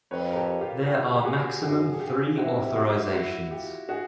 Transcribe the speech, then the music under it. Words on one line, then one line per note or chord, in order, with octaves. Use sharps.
There are maximum three authorizations.
F2 B4 C#5
A#4
G4 A4
F4 G4
F4 G4
G4
F#4 G#4
F#2 F#4 G#4
G#4
F4 G4
C3 E4 F#4
E4 F#4
E4 F#4
F4 G4
F#4 G#4